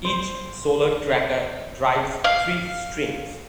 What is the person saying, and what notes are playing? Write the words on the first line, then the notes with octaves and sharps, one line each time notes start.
Each solar tracker drives three strings.
C5
F5